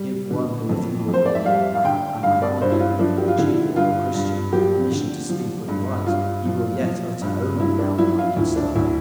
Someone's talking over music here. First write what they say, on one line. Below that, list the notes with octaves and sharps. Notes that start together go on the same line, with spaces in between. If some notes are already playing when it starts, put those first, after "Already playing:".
Give one who is inwardly a Mohammedan, a Jew, or a Christian, permission to speak what he likes: he will yet utter only narrow-minded stuff.
Already playing: G3
D3
F2
F2
C5
D5
E5
G3 F5
F5
D3 G5
G2 F5
D5
G2 C5
E4
F4
F3 D4
G4
F4
D3 E4
G2 F4
G2
F3 G4
D3
F3
G2
G2 F4
F3
F3
G2
G2 E4
D4
F3 E4
F4
D2 E4
D4
D2 E4